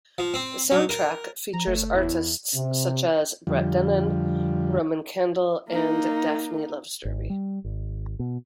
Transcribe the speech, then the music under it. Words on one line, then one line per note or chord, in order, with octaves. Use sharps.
The soundtrack features artists such as Brett Dennen, Roman Candle and Daphne Loves Derby.
F3
C4
F#3
A#4
F3 A#5
F#1 A3
E2 E4
C3
F2 D3 F3 G3
A#3 D#4
G#1
G3
G#1
B2